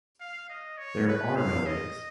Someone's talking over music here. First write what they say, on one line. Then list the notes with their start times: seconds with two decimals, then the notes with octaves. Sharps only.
There are no eggs!
0.20 F5
0.50 D#5
0.78 C#5
1.08 B4
1.37 F5
1.66 D#5